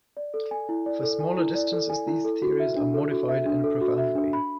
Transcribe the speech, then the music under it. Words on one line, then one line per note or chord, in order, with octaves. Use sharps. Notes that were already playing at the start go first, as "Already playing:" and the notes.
For smaller distances these theories are modified in a profound way.
D5
A4
G#5
E4
D5
A4
G#5
E4
D5
A4
G#5
E4
A4
F#4
E5
D4
A4
F#4
E5
D4
A4
F#4
E5
D4
B5